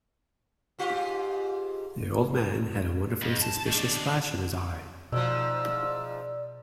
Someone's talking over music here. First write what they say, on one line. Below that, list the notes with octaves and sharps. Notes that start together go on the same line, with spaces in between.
The old man had a wonderfully suspicious flash in his eye.
G#2 F4 G4
F2
A5
D#3 D4
G#2 B2 F3 D5 E6